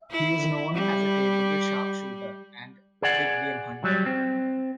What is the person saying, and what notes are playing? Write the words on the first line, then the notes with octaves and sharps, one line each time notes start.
He was known as a capable sharpshooter and big game hunter.
E4
G3
G#4 D5 F#5
F#3 G3
C4